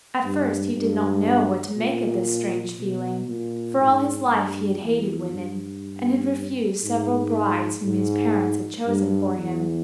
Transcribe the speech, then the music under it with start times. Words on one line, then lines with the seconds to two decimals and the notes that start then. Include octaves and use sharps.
At first he did not know what to make of this strange feeling, for all his life he had hated women, and had refused several brides whom his parents had chosen for him.
0.24 G2
0.75 G2
1.77 A#2
2.78 B2
3.28 A#2
3.79 G#2
4.30 G2
4.81 E2
5.31 G2
6.83 G#2
7.84 G#2
8.85 G2
9.36 E2